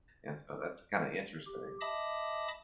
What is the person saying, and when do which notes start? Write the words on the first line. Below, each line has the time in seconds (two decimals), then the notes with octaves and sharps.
And so that's kinda interesting.
1.47 G4
1.81 D#5 E5 A5 B5 D6 D#6